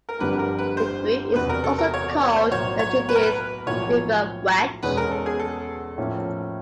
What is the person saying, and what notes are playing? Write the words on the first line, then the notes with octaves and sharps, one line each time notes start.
The group is also called the Judith River Wedge.
A#4
G1 F2 D3 G3 A#3 B4
A#4
B4
C5
E1 E2 C3 B4
A#4
A4
A#4
C#5
D5
C#5
C5
B1 A2 F#3 A#3 C#5
C#5
B4
A#4
B4
B1 A2 F3 A#3 C#5
E2 B2 G#3 C#4 B4
A#4
A4
G#4
A4
A2 F3 A#3 C#4